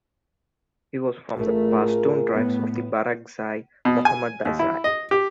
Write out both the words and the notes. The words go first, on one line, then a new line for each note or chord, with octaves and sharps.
He was from the Pashtun tribe of Barakzai Mohammedzai.
A1 A3 F4 G#4 A#4
A2 B3
B2
G#5
D#2
E4
D#5
G4